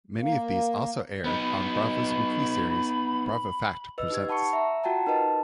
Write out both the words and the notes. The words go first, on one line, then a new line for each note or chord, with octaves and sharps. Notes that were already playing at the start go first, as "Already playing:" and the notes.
Many of these also aired on Bravo's weekly series "Bravo!Fact Presents".
A#3
B3 D#4 B5
B4 D#5 E6
D#4 G4 G#6
F#5 A5 B5 C#6 C#7
E5 A#5
F4 F#4 F#5 G5 A5 A#5
D#4 A#4 B4 D#5 A5